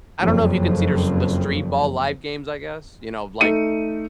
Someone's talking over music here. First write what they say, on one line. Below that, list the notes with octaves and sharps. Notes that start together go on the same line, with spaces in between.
I don't know if you can see the street ball live games, I guess, you know, like,
F#1 F2
A3 D#4 C#7 D#7